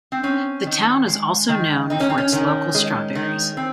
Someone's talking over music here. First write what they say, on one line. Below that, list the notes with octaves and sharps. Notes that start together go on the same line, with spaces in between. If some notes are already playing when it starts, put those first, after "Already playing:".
The town is also known for its local strawberries.
C4
C4 C#4
D#3
G#3
D#3
C4 D#4
C#4
C4
C#4
D#3
G#3
D#3
C4